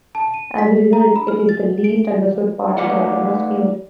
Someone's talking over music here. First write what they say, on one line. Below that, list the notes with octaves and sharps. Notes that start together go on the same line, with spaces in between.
As a result, it is the least-understood part of the atmosphere.
A5
D#7
B6
A#5
B5
F6
A6
D7
A3 D#4 B4 D5 F5 F#5